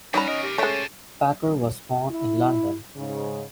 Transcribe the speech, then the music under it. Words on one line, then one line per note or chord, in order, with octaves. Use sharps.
Packer was born in London.
E3 G3 C#4 D#4 F#4 A#5 B5
E2 A#4 D#5
G4
G#3 A3 C#4 G4 C5 A5
E4
G#2 C#3